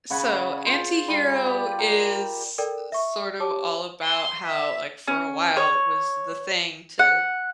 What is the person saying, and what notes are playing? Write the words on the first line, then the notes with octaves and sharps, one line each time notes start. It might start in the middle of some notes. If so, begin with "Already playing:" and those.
So "Anti-Hero" is i sort of, all about how, like, for a while it was the thing to
C#3 F#5 G#5 B5
F4 C5
G3
G4 D5
A#4 G5
A4 A#4 D5 G5
E5 C#6
G4 C#5 A5 D6
C6
E5
C#4
C#5
F#5